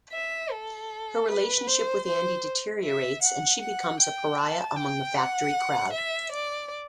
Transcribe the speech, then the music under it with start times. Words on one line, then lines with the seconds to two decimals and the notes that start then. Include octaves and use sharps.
Her relationship with Andy deteriorates and she becomes a pariah among the Factory crowd.
0.12 E5
0.51 A4
1.29 B4
1.67 C5
2.06 C5
2.84 E5
3.22 F#5
3.61 F#5
4.00 G5
4.38 A5
4.77 G5
5.15 F#5
5.93 E5
6.32 D5